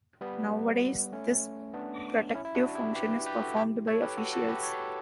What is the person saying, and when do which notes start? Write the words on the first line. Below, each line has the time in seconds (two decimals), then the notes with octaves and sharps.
Nowadays, this "protective" function is performed by officials.
0.21 G3 B3
1.12 A3 C#4
1.74 B3 D4
2.35 C#4 E4
2.45 E4
2.55 D4 F#4
2.75 E4 G4
2.96 G4 B4
3.26 G4 B4
3.41 F#4 A4
3.57 E4 G4
3.87 A4 C#5
4.02 G4 B4
4.17 F#4 A4
4.33 F#4 A4
4.48 G4 B4
4.63 A4 C#5